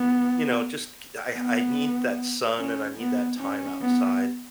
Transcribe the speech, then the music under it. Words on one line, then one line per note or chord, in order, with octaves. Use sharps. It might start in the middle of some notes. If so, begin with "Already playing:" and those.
you know, just c I I need that sun, and I need that time outside.
Already playing: B3
B3
C#4
B3
C#4
B3